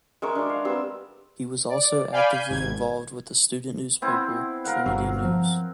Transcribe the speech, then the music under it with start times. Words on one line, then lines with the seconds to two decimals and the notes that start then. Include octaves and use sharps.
He was also actively involved with the student newspaper "Trinity News".
0.22 G#3 A#4 E5 C#6
0.35 G#3 D4
0.49 F5
0.65 G3 B3 C4 E6
1.69 D5
2.12 D5 F5 G5 G#5 B5
2.31 G#5 G6
2.50 G#1 G#6
4.02 B3 C4 E4
4.64 A#4 F5 F#5
4.86 G1 F#3
5.25 F3